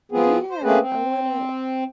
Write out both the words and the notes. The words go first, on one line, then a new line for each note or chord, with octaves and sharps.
Yeah, I wanna
F3 B3 C4 G#4
C5
A3 A#3 C4 C#4 G#4 B4
C4